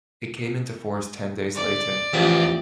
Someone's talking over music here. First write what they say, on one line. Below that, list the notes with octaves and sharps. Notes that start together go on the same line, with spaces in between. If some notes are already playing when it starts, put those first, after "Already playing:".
It came into force ten days later.
D5
A1 E2 F3 B3 G4